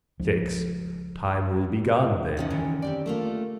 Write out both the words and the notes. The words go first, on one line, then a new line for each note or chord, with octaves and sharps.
Six. Time will be gone then.
C#2 F3
D3 D#3 C#4
C#3 E3
C4 G4 D5
A3 A#3 F4